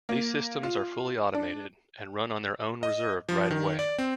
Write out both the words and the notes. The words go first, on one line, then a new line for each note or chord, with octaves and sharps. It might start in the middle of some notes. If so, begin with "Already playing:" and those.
These systems are fully automated and run on their own reserved right of way.
A#3
F4
D4
D#5
F3
D#3
D5
C4